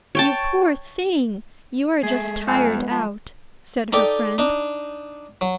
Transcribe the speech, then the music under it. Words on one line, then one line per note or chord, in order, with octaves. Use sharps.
"You poor thing, you are just tired out," said her friend.
C#5 G5 A5
G#3 A3 G#4 E5
F2 G#5
B3
F3 A5
D#4 G4 A4 D5 G5
D4 D#4
F#3